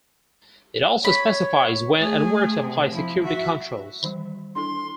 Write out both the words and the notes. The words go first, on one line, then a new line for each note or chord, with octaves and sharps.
It also specifies when and where to apply security controls.
C#5 B5
A3 G#4
C3
F3 E4
F#4 E5
D#3 E3 G3
D4 E4 A4 C6